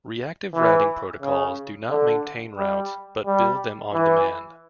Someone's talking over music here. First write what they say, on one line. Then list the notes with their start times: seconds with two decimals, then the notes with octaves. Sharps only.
Reactive routing protocols do not maintain routes, but build them on demand.
0.54 E3
1.22 C#3
1.90 D3
2.58 G3
3.26 G3
3.93 E3